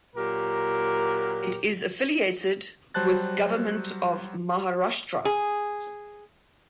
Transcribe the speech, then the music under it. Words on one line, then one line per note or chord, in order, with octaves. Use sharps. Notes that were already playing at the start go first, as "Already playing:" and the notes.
It is affiliated with Government of Maharashtra.
A#2 F#3 G4 A#4
F#3 G3 C5 A5 F#6 A6
G#4